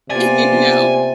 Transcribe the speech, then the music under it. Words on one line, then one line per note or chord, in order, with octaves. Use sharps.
you know,
C3 A#3 B3 F4 D5 G#5